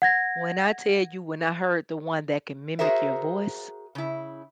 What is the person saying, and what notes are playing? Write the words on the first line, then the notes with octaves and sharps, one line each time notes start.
When I tell you, when I heard the one that can mimic your voice,
F#5 G#6 A#6
F#4 G#4 A#4 C5 E5
C#3 E4